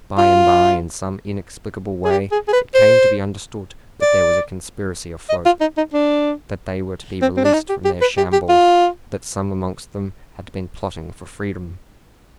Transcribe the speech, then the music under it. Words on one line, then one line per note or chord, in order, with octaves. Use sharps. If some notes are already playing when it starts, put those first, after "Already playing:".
By and by, in some inexplicable way, it came to be understood that there was a conspiracy afloat, that they were to be released from their shambles, that some amongst them had been plotting for freedom.
F4
G#4
G4
G#4
G#4
B4
C5
D5
D#5
F4
D#4
D#4
D4
C4
C4
D4
D#4
G4
G4
B4
G4
G4
F4